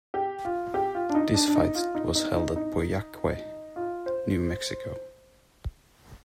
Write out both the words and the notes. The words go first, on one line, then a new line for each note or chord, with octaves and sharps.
This fight was held at Pojoaque, New Mexico.
G4
F4
G4
F4
D4
D#4
D4
D4
D#4
F4
D#4
D#4
D#4
D#4
F4
C5